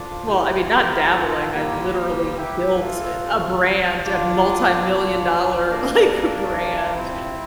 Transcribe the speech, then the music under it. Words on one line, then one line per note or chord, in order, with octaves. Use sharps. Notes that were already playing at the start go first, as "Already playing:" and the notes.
Well, I mean, not dabbling, I literally built a brand, a multimillion dollar, like, brand,
Already playing: A2 F3 D4 F4
E4 G4
A2 F3 G4 A#4
F4 A4
A#2 F3 G3 A#3
C3 E3 E4 G4
F4 A4
C3 F3
A2 F3 D4 F4
A#2 F3 D4 F4
C3 E3 A#3 D4
A#3 D4
C3 F3
C4 E4